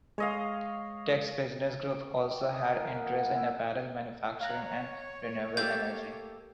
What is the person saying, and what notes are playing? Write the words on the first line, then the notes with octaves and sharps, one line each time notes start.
Tex's business group also has interests in apparel manufacturing and renewable energy.
G#3 C#5 D#5 F5
D6
C#6
G4
D5
D#4
A#4
A#2
F#5
F#5
B3
E4
C#5 F5 A#5 F#6
A3 A#3 G4 G6 A6